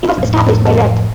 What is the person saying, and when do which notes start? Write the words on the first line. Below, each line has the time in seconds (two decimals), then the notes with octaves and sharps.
It was established by Revd.
0.18 F2 A2